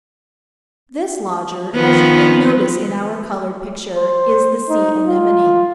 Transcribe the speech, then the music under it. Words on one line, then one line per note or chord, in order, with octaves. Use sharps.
This lodger, as you will notice in our coloured picture, is the sea anemone.
D#3 F3 B3
C5
D#4
F4